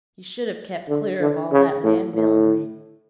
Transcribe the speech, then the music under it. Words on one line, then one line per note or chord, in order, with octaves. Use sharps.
You should have kept clear of all that man-millinery.
D3
D3
C#3
A2
A2